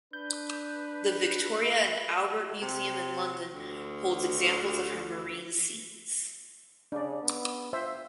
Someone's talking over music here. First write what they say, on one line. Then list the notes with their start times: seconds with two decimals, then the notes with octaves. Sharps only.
The Victoria and Albert Museum in London holds examples of her marine scenes.
0.13 D4 B4 G6
2.62 C3
3.54 D2
6.92 C#3 D4 D5
7.23 B3
7.73 F4 C5 E5